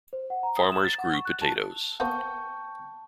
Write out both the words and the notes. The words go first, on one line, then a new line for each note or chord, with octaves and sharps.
Farmers grew potatoes.
C5
F#5
A#5
D#6
E7
A6
F#5
C#6
F#6
A5
A#3 B3 C5 G5 A5 C#6 G6